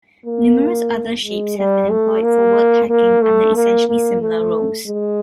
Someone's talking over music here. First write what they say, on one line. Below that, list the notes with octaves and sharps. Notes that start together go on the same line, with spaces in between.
Numerous other shapes have been employed for word-packing under essentially similar rules.
A#3
G#3
G3
A3
A#3
A#3
A3
A#3
A#3
A3
G#3